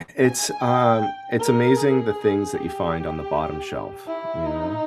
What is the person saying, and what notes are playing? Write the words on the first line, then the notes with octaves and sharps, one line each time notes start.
It's, um it's amazing the things that you find on the bottom shelf, you know,
G#5
G5
A#4
G#4
G4
E4
D#4